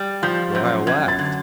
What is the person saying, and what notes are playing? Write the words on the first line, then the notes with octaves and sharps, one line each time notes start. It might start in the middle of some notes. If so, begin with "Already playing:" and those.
But Ohio laughed.
Already playing: G3
F3 G6
F#2 G6
F#2 G#6
A6
D3